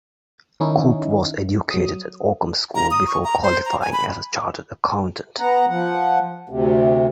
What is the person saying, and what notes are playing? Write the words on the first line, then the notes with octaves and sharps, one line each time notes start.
Cope was educated at Oakham School before qualifying as a Chartered Accountant.
D#3 C#4 D#4 E4
F#3 D#6
A#5
D#6
C#6
A#5
C5
A#5
G#5
B5
B3 F#5 A#5
F3 F#5
D2 C3